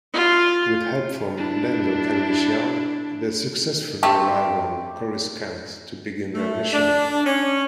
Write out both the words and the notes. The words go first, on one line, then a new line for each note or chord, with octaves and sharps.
With help from Lando Calrissian, they successfully arrive on Coruscant to begin their mission.
F4
D4 E4
A3 C4 G4
A3
D4
C#4